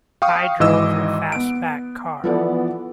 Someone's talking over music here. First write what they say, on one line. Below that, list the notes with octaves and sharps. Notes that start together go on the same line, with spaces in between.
I drove a fastback car.
F5 G5 C#6 D#6
G#1 G#2 E3 D#5 D6 E6
B3 D7
E3 F3 B3 A4 D5